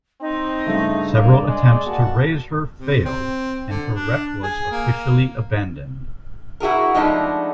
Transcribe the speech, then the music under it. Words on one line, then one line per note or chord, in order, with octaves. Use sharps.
Several attempts to raise her failed and her wreck was officially abandoned.
C4 D#4
G2 C#3 A3
A#3 D5
G#3
A#3 F#4 A5
C3
C4
D3
D4
G#4
A#3
E4 F#4 G#4 A#4
F3 G#3 A3 B3 D4 D#4